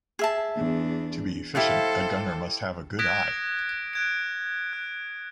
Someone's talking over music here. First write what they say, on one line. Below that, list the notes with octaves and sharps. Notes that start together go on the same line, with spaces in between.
To be efficient a gunner must have a good eye.
G#4 E5 A5
E2 D4
E4 G4 A4 C5 F5
D#6 F#6 G#6 A#6 B6 D7
F#6 G#6 D7
F#6